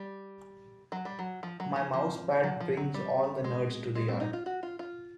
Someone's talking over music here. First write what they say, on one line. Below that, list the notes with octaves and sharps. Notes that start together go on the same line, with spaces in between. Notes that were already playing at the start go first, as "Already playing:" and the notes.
My mousepad brings all the nerds to the yard.
Already playing: G3
F#3
G3
F#3
F3
F#3
F3
F3
F#3
F3
F#3
G3
G#3
G#3
C4
D#4
F4
F#4
F4
F4